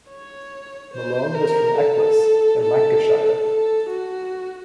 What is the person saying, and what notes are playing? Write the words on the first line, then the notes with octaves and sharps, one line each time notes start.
Malone was from Eccles in Lancashire.
C#5
C5
A#4
A4
A4
A4
F#4